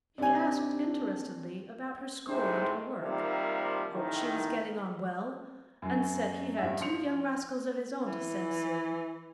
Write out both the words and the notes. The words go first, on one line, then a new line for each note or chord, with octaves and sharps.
He asked interestedly about her school and her work, hoped she was getting on well, and said he had two young rascals of his own to send soon.
D#2 C3 A#3 C4 D4 C#5 D5 G#5
A2 C3 D#3 G#3 C5
C3 D#3 F3 G3 A#3
A1 D#3
F#2 F#3
G2 E5
F3 C6 C#7 F7
E3